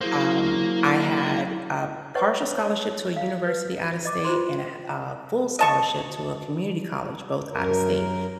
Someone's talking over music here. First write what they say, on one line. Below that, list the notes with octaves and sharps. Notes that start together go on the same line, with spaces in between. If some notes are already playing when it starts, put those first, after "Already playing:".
Um, I had a partial scholarship to a university out of state and a ha uh, full scholarship to a community college, both out of state.
F#3 A#3 E4 G#4 C5
B4 C#5 D#5 F#5 C#6
C#5 A5
F5
B4
D#5 D6
F4 C5 C6
D#5 A5 C#6
F#2 A#4